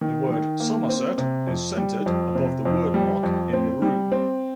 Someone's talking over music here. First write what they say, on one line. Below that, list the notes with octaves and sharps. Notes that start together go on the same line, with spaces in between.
The word "Somerset" is centered above the wordmark in maroon.
D#3
D#3
A#3
C4
C3
F2
G3
F2
C3
F2
G3
F2
C4
G3
C4